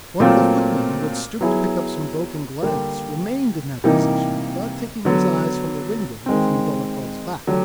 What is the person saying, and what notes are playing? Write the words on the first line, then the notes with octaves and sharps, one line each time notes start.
One of the footmen who had stooped to pick up some broken glass remained in that position without taking his eyes from the window and from Dolokhov's back.
A#2 F#3 A3 C4 F4
F#3 B3 E4 G#4
D3 G3 A#3
C3 E3 G3 A#3 D#4
D3 F#3 B3
D#3 G#3 C4
D3 F#3 A3 D4 G4